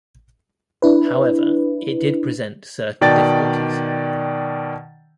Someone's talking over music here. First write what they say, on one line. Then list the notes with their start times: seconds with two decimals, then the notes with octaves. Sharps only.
However it did present certain difficulties.
0.82 D4 E4 B4
3.01 B2 D#3 D5 G5 A5 A6